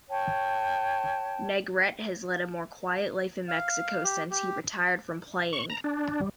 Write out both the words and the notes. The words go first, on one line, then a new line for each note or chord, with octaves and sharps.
Negrete has led a more quiet life in Mexico since he retired from playing.
C#5 G5 A5
F5
G4
G4
C#6
A#5
D4
G3